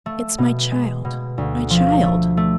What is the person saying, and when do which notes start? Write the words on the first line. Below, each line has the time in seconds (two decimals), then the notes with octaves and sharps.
"It's my child, my child!"
0.06 A3
0.38 B2
0.72 G#3
1.05 B2
1.38 D2
1.70 F3
2.03 A3
2.37 A3